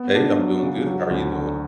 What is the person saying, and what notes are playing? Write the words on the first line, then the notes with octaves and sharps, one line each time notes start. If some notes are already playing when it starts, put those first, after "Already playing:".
Hey, I'm doing good. How are you doing?
Already playing: B3
D4
F#3
C#3
F#3
D2
D3